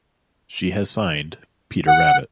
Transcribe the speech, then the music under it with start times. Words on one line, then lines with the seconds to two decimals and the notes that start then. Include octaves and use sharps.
She has signed "Peter Rabbit"!
1.88 F#5